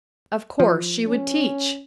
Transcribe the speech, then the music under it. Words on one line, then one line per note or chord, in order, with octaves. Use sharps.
Of course she would teach!
F3
C#4